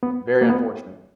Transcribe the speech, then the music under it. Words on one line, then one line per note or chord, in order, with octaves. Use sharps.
Very unfortunate.
B3
A#3
B3